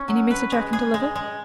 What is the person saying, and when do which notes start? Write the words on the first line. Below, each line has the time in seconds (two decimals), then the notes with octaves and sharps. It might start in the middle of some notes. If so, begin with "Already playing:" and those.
"Any message I can deliver?"
Already playing: C#4
0.08 F#3
0.31 B4
0.52 G#3
0.73 G#4
0.94 G#3
1.15 G#3